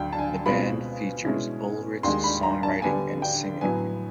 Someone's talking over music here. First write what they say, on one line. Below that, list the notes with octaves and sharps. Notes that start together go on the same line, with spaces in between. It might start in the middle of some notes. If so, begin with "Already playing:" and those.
The band features Ullrich's songwriting and singing.
Already playing: D2 D3 F#3 G5
A5
G#5
B2 G#3 C4 F4 B5
B2 G#3 C#4 E4
D#2 D#3 G#3 C6
B5
A#5
A5
D3 G3 B3 D4 G#5
G5
A2 F#3 B3 G#5